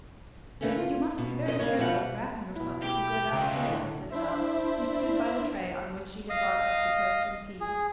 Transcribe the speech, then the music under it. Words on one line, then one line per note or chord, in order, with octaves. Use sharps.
"You must be very careful in wrapping yourself as you go downstairs," said Bell, who stood by the tray on which she had brought up the toast and tea.
D3 E3 F#3 A3 A#3 C#4
F4
B2
C#4 E4 C5 D#5
C#3 A#3 D4 C#5
D#2 B2 F3 G#3 E5 F#5
B2 E4
G4
C#2 E5 G5 A#5
A2 D3
D4 E4 C5 E5
D#5 F5 D#6
G#4